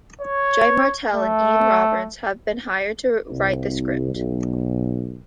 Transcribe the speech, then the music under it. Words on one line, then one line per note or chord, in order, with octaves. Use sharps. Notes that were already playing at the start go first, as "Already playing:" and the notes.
Jay Martel and Ian Roberts have been hired to write the script.
C#5
A3
C2
B1